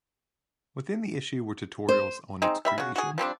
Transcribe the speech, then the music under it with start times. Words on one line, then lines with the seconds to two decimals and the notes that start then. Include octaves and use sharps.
Within the issue were tutorials on its creation.
1.89 C5
2.42 G#3 C4 D#4
2.65 G3 E5 B5
2.78 C#3 F#4
2.96 F#4 G#4
3.18 F3 G3 C4 D4